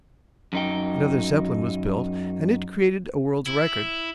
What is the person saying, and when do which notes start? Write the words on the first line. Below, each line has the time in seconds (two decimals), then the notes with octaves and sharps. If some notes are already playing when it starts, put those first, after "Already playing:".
Another Zeppelin was built and it created a world's record.
0.53 F#2 D#4 G5
3.47 E4